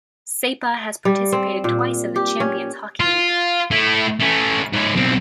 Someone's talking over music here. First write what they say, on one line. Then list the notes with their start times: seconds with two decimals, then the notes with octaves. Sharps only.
Saipa has participated twice in the Champions Hockey League.
1.05 G3
1.32 C4
1.64 A#2
2.16 G4
2.40 C#4
3.00 F4
3.71 A3 E4
4.20 A3 C#4
4.73 G#2 C#5
4.96 B1 C4